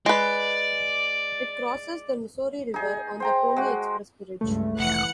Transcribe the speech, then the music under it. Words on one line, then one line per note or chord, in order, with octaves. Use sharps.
It crosses the Missouri River on the Pony Express Bridge.
G#3 B4 D5
D#4 G#4
C5 G5 A#5
G#3 F#4
C#2 G2 A3
F1 E3 F#5 F#6 C#7